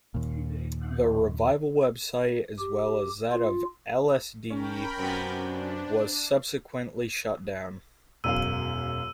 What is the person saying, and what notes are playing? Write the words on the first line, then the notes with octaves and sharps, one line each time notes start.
The revival web site, as well as that of "Ellesdee", was subsequently shut down.
D#2 A#2
G4
F4
C#4 A#4 G5 B5
F#2 C3 B3
D4
E1 F#2 F5 E6 D#7